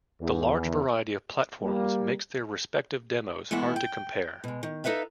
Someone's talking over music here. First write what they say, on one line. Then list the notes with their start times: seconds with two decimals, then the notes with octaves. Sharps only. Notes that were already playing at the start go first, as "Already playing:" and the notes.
The large variety of platforms makes their respective demos hard to compare.
0.21 E2
1.62 G3 A#3
3.51 E3 G#3 A3 B3 E4
3.76 G5
4.44 B2 G#3
4.63 D#3
4.84 D#4 A4 B4 E5 F5